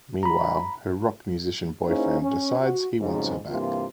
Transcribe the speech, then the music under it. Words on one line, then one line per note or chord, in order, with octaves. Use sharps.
Meanwhile, her rock musician boyfriend decides he wants her back.
A#5 B5
A#3 C#4 D#4 E4 G#4 C5
C#4
F#4
F2 G#2 C#3 F#3 G#3 D#4
G2 C3 E3 A#3 F4